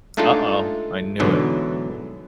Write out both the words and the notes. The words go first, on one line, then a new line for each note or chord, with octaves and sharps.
Uh-oh, I knew it.
G#3 A3 D4 D#4 F4 A4
G#2 B2 D3 E3 F#3